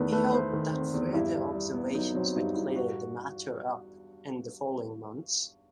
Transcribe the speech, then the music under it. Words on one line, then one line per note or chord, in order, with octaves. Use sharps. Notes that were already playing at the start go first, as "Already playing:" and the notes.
He hoped that further observations would clear the matter up in the following months.
Already playing: E2 D#3 A3 B4
A3 B4
A3 C5
D#3
C4
E2
G2 E4
G2
G2
B3
F#3 D#4
F#3 C4
G2 D#4
G2 E4
G4
G2 F#4